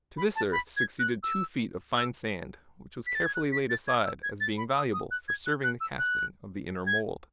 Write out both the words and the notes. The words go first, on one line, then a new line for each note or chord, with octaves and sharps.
To this earth succeeded two feet of fine sand, which was carefully laid aside as being valuable for serving the casting of the inner mould.
B5
A5
B5
G#6
F#6
E6
E6
B6
A6
G#6
F#6
B6
A6
G#6
E6
G#6
A6
B5
D#6
D#6
F#6
G#6
F#6
F#6
E6
F#6
G#6